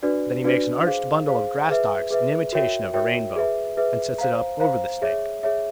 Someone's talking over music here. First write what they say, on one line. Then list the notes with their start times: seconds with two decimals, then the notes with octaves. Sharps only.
Then he makes an arched bundle of grass stalks in imitation of a rainbow, and sets it up over the snake.
0.03 D4 F#4 B4 D5
0.44 D4 F#4 B4 D5
0.86 G#4 C5 F5
1.27 G#4 C5 F5
1.70 G#4 B4 E5
2.10 G#4 B4 E5
2.53 F#4 A#4 C#5 E5 G5
2.94 F#4 A#4 C#5 E5 G5
3.36 G#4 B4 E5
3.77 G#4 B4 E5
4.18 C5 F5 A#5
4.60 C5 F5 A#5
5.02 G#4 C#5 E5
5.43 G#4 C#5 E5